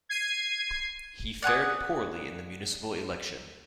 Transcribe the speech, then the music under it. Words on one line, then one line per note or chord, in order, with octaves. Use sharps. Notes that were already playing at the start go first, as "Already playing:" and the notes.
He fared poorly in the municipal election.
G#6 C7 D#7
D5 F#5 G#5 D#6